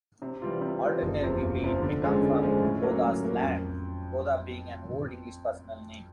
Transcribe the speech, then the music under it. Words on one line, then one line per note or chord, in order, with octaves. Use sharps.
Alternatively, it may come from 'Goda's land', Goda being an Old English personal name.
C3
E3 G3 C4 F4
C3
E3 G3 C4 F4
F#1
E2 C3 F3
F#1
E2 C3 F3
D3
F3 G#3 C#4
D3
F3 G#3 C#4
A2
F#3 A#3 C#4
A2
F#3 A#3 C#4
F2